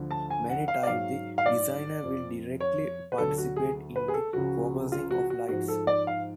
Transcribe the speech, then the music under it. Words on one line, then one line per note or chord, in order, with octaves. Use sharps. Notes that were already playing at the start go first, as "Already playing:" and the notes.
Many times the designer will directly participate in the focusing of lights.
Already playing: D2 D3 F3
A5
G#5
F#5
F5
D5
G#2 F#3 F5
F5
D5
F2 F3
C#5
B4
D2 D3 F#3 A4
F#4
G#4
B4
G#4
A4
C#2 C#3 F3 F#4
F4
F#4
F#4
G#2 F3 F#4
A4
D5
F5